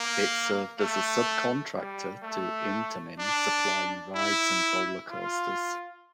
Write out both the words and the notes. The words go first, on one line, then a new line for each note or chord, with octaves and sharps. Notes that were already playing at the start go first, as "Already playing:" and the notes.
It served as a subcontractor to Intamin supplying rides and roller coasters.
Already playing: A#3
A3
G3
A3
D4
E4
F4